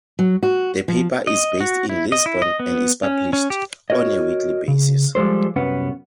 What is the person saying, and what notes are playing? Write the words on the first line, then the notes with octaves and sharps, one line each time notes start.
The paper is based in Lisbon and is published on a weekly basis.
F#3
F#4
F3
D#5
F#4
E4
D#5
E4
D#5
B3
C#4
C#4
G4
F#4 A#4 C#5 D#5
C#3
F3 G3 G#3 A4 C5
C2 F#2 B3 C#4 B4 F#5